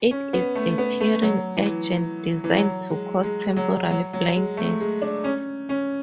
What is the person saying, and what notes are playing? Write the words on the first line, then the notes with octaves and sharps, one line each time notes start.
It is a tearing agent designed to cause temporary blindness.
C#4
B3
A3
B3
A3
F#3
E3
E3
F#3
G#3
G#3
F#3
F#3
F#3
G#3
A3
G#3
D4
C#4
C#4